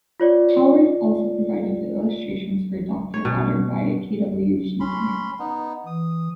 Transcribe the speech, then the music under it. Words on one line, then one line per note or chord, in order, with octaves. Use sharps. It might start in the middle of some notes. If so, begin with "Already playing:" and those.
Howarth also provided the illustrations for "Doctor Adder" by K. W. Jeter.
F4 C#5 D5
C#5
B2
C#4 B5 C6
B3 D#4
E3 D#6